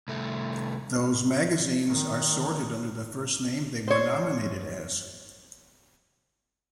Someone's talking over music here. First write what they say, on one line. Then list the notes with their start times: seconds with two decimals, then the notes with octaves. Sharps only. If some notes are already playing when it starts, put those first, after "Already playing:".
Those magazines are sorted under the first name they were nominated as.
0.08 C2 A3
1.87 A#2 D#3
3.88 C5 C#5